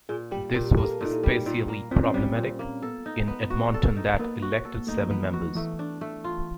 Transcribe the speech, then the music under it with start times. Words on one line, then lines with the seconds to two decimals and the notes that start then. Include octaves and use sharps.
This was especially problematic, in Edmonton that elected seven members.
0.09 A#2 G#4
0.31 G3 G4
0.54 A#2 A#4
0.77 A#3 A4
1.01 A#2 D#4
1.12 E4
1.23 G3
1.28 D#4
1.46 A#2 D#4
1.68 A#3
1.91 A#2 C4
2.04 C#4
2.14 G3 C4
2.36 A#2
2.59 A#3
2.82 B3 A4
3.06 D#4
3.28 B3
3.50 F#4
3.74 A4
3.96 D#4
4.19 A#3 B3
4.42 F#4
4.65 A4
4.87 A3 D#4
5.02 F3
5.10 E3 B3
5.33 F3 F#4
5.55 E3 A3
5.79 D4
6.01 A3
6.24 F4